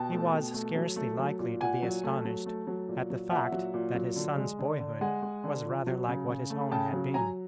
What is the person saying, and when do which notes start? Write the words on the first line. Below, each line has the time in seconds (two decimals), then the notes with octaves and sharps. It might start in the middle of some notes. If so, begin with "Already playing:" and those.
He was scarcely likely to be astonished at the fact that his son's boyhood was rather like what his own had been.
Already playing: B2 G5 A5
0.12 A3
0.33 B2
0.54 A3
0.75 F#3
0.96 A3
1.18 F#3
1.39 A#2
1.61 A#2 F#5 G#5
1.82 F#3
2.03 A3
2.25 F#3
2.46 A3
2.67 F#3
2.88 A#2
3.10 F#3
3.31 A#2 E5 F#5
3.52 F#3
3.74 A#2
3.95 F#3
4.16 D3
4.38 G#3
4.59 D3
4.80 D3
5.01 G#3 F#5 G#5
5.22 G#3
5.44 D3
5.65 F3
5.86 F#3
6.08 C#3
6.29 C#3
6.50 A3
6.71 C#3 G5 A5
6.93 F#3
7.14 F#3 G#5 A#5